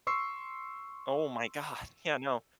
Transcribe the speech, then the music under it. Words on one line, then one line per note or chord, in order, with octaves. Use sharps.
Oh my god, yeah, no.
C6 C#6 E6 C7